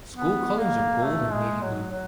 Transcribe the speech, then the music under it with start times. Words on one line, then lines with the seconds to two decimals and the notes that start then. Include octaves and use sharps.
School colors are Gold and Navy Blue.
0.15 B3
0.58 A#3
1.03 A3
1.33 G#3
1.62 F#3
1.91 F#3